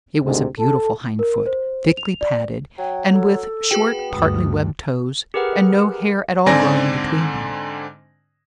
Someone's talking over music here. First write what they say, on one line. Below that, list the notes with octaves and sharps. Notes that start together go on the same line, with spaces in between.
It was a beautiful hindfoot, thickly padded, and with short partly webbed toes, and no hair at all growing between them.
D2 G#2 C3
A4
A#4
C5
F7
D5
F#3 G5
A4
B3 F#4 G#4 G5
D2 G2 D#6
G4 G#4 A#4 B4 F#5
G#2 D3 C4 D5 G#5 A#6